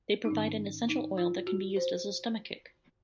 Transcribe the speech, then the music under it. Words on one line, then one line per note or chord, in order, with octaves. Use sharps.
They provide an essential oil that can be used as a stomachic.
D#4
G#2 D#3 C#4
D#4
F4
F#4
C5